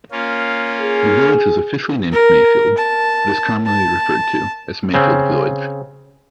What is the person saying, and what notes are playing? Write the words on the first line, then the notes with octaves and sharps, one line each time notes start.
The village is officially named Mayfield, but is commonly referred to as Mayfield Village.
A#3 C#4 F4
G#4
A#4
A5
A5
C#3 C4